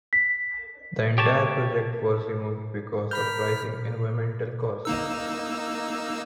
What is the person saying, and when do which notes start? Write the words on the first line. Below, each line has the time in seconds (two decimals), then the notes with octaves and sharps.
The entire project was removed because of rising environmental costs.
0.13 B6
1.18 G4 C#5 A5
3.11 A#4 B5 F6 G6 B6
4.85 A#3 D#4 E6